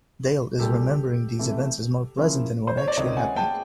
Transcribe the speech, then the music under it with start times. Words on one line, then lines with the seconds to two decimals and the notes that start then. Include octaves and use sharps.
Dale is remembering these events as more pleasant than what actually happened.
0.59 C2 A#2 G3 G4 A4
1.39 C3 E3 A3
2.17 C#3 F3 A#3 C#4 E4
2.67 C5
2.77 C#5
2.88 D5
2.97 C#2 C3 D#3 C#5 D#5
3.17 F#5 G#5
3.36 G5 A5